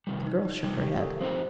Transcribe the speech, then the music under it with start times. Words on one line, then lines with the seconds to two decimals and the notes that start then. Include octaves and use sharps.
The girl shook her head.
0.07 C3 D#3 G3
0.27 D#4
0.45 D#4
0.64 C3 D#3 G3 D#4
0.83 G4
0.97 A#4
1.01 A4
1.21 F3 C4 D#4 G4 C5